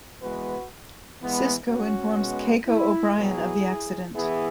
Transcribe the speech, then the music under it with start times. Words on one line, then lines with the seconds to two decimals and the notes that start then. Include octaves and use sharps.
Sisko informs Keiko O'Brien of the accident.
0.22 E3 G#3 B3 F#4 B4
1.20 E3 G#3 B3
1.69 C#4 F#4
2.18 B2 G#3 B3
2.67 E4
3.17 B2 F#3 B3 E4 G#4
4.15 E3 B3 E4 G#4